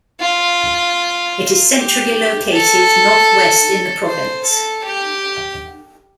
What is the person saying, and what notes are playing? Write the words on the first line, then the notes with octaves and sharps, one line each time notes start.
It is centrally located north-west in the province.
F4
G4
A4
C5
A4
G4